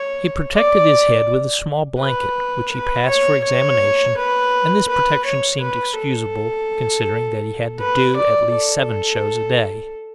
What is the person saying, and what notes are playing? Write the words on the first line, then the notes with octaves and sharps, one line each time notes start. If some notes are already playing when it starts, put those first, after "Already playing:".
He protected his head with a small blanket, which he passed for examination, and this protection seemed excusable, considering that he had to do at least seven shows a day.
Already playing: C#5
D5
B4
B4
C#5
C#5
B4
B4
C#5
B4
A4
B4
D5
A4